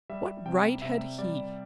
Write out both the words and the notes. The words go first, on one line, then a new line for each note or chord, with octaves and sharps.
What right had he?
G3 E5
C3 G5
C3 E5
G3 D5